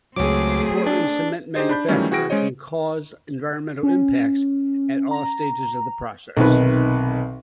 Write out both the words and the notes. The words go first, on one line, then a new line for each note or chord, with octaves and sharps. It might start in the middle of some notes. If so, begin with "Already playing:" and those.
Portland cement manufacture can cause environmental impacts at all stages of the process.
C#2 F#3 A3 C4 G#4 D6
D4
D#4 G4 G#4 C5 D#5
D4 B5 G6
D#3 E3 F#3 G3 A3 C#4
E3 F#4 G#4 G5 A#6 D7
G#3 C#4 C5 C#5 D#5
C#4
A#5
B1 C3 D#3 B4